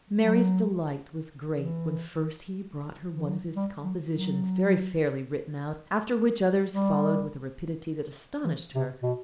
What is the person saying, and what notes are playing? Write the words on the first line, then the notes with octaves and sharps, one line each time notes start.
Mary's delight was great when first he brought her one of his compositions very fairly written out--after which others followed with a rapidity that astonished her.
F#3
E3
E3
F#3
G3
F#3
F#3
G3
E3
C3
B2